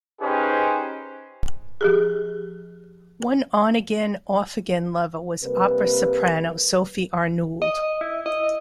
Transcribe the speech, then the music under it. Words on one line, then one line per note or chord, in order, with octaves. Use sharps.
One on-again-off-again lover was opera soprano Sophie Arnould.
C#4 D#4 G4 G#4 B4 C5
F3 G4 G#4
C3 G3 A#3 A#4 B4
D#5
E4
D#5